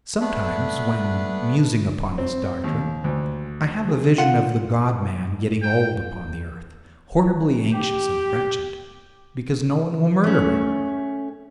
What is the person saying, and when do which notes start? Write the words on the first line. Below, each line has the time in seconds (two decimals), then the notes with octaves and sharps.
Sometimes, when musing upon this doctrine, I have a vision of the God-man getting old upon the earth, horribly anxious and wretched, because no one will murder him.
0.20 A3 B3 D4
2.18 C4
2.64 D#2
3.04 D2
3.88 G#4
4.18 F4 F#5
5.62 G5
7.73 G4
10.24 A3 C#4